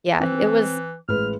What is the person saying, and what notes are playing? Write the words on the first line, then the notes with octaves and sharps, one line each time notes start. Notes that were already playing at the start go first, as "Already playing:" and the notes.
Yeah, it was
E3 C4
A1 G#3 B4 F6